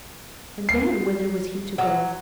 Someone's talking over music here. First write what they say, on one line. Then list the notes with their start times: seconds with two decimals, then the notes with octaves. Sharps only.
And then, whither was he to go?
0.69 C7
1.78 F#3